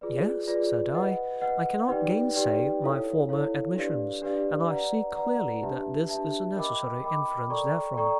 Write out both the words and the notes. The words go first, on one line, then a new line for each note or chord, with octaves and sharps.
'Yes,' said I; 'I cannot gainsay my former admissions, and I see clearly that this is a necessary inference therefrom.'
F4 G#4 B4 D5
F4 G#4 B4 D5
B4 D#5 F#5
B4 D#5 F#5
D#4 G4 B4 D5 G5
D#4 G4 B4 D5 G5
E4 A4 C#5 F5
E4 A4 C#5 F5
D4 G4 B4 D5 F5
D4 G4 B4 D5 F5
B4 D5 F#5 A#5
B4 D5 F#5 A#5
D4 G4 B4 E5 A5
D4 G4 B4 E5 A5
A#4 D#5 G5 B5 D6
A#4 D#5 G5 B5 D6
A4 D5 G5 A#5 C#6
A4 D5 G5 A#5 C#6